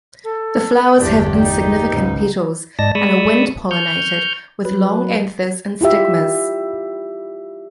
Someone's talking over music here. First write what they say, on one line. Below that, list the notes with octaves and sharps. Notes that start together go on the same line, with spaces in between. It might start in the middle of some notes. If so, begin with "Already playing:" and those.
The flowers have insignificant petals and are wind-pollinated, with long anthers and stigmas.
A4
G1 E2 D4 G4 D5 G5
D#4
C#2 G#2
G#2 D5 D#5 A5 A#6
G#3 D5 B5 C#6 D#6 E6
C#6 F6 G6
F#3 B4
E4 F4 G4 E5